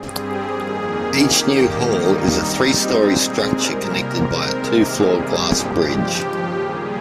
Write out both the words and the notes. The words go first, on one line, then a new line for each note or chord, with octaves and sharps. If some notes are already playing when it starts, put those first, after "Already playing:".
Each new hall is a three-story structure connected by a two-floor glass bridge.
Already playing: G2 G3 C4 G#4
G4
F2 D#3 A#3 G#4
D#2 D#3 A#3 G4
G2 D#3 G3 A#3 D#4
G#2 G3 C4 D#4
F4
A#2 G#3 C4 G#4
A#4
C3 G3 A#3
C3 D#3 G#3 C4
C3 G3 A#3 G#4
G2 F3 G#3 G4
D#2 C#3 F3
A#2 G3 A#3 G#4